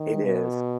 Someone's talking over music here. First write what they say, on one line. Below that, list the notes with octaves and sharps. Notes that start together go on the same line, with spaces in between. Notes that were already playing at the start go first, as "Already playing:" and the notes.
It is.
Already playing: D#3
B2